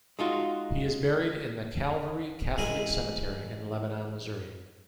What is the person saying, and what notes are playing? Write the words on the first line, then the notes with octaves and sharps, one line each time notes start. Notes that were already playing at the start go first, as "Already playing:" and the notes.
He is buried in the Calvary Catholic Cemetery in Lebanon, Missouri.
G#3 D#4 F4 F#4
A1 G#3 E4 G#4 A#4 G#5